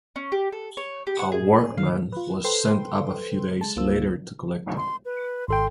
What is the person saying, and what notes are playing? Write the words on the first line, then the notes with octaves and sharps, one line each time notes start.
A workman was sent up a few days later to collect it.
C#4
G4
A4
C#5
G4
F#5
G#4
F5
F4 B4
A4 B4 C5 G5 C6
G#3 A5
C#2 A#3 F4 C5 E6
C6
B4
G#1 A4 G5 C6